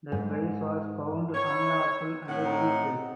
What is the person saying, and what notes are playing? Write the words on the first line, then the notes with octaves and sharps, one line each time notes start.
The prize was found unlawful and released.
G#2
D#3 C#5
E4
C5
A2 C3 F#5
C5 D#5 A#5